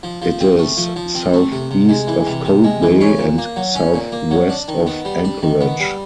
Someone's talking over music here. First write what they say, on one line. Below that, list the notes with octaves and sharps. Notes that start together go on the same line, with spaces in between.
It is southeast of Cold Bay and southwest of Anchorage.
F3
F3
C4
A3
F3
F3
C4
A3
C3
C3
G#3
E3
C3
C3
G#3
E3
C#4
A#2
A#3
F#3
C#4
A#2
A#3
F#3
D4
D#3
B3
G3
D4
D#3
B3
G3